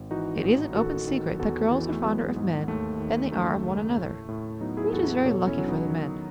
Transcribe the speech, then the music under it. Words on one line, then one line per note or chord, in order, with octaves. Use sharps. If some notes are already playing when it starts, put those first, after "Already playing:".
It is an open secret that girls are fonder of men than they are of one another--which is very lucky for the men.
Already playing: G#1
E3 D#4 F#4
A1
D#3 F#4 A4
D#3
E2 F#4 A4
E3
A3
F#3 G#3 B3
G#2
D#2 A3
D#3
F#2 A3
C#3
A2
A2
F#3 B3 D#4
E4 G#4
E2 F#4 A4
F#4 A4
B2 A4 C#5
C#4 E4
F#3
B3 D#4
D#3